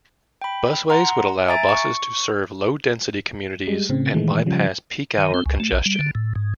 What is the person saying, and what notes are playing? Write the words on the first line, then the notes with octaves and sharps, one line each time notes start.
Busways would allow buses to serve low-density communities and bypass peak hour congestion.
G5 B5
F#5 A#5 C6
E5 G#5 A#5 A6 D7
C#6
G3 G#3
A2 C#3 C4
A#2 D#3 E3 G#3 A3
C#3 F3 G3
D#3
C4
C#2
A3
A#1
G3
D3
A2
G#2